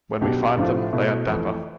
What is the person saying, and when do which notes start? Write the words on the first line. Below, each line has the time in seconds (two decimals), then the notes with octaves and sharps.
When we find them, they are dapper.
0.21 B1 B2 B3 D4 G4
0.57 A2 F3 A3 D4 F4
0.93 B2 A3 E4
1.27 F2 E3 A3 E4